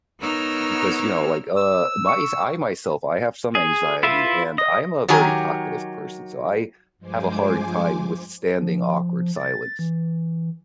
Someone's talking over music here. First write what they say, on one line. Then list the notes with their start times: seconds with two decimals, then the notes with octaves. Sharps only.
Because, you know, like, uh, mys I myself, I have some anxiety, and I'm a very talkative person. So, I have a hard time withstanding awkward silence.
0.20 B3 D#4 A#4 C#5 E6 F6
1.56 E6
2.07 C#6 C#7
3.55 G#4
4.03 E4 F4 B4 E5
4.58 D#5
5.08 D#3 F#3 G4 G#5 A#5
6.98 G2 F3 G#3 C5 G#5 D6
8.58 F3
9.37 A6
9.79 E3